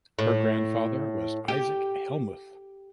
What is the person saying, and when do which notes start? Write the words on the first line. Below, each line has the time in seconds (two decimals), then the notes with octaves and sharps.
Her grandfather was Isaac Hellmuth.
0.19 A2
1.48 G4